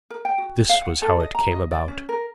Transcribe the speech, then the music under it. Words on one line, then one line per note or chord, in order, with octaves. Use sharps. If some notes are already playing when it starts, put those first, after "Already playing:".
This was how it came about.
A#4
G5
F#4
F5
F#5
A4
D#5
A#5
D#5
D5
C#4
A#4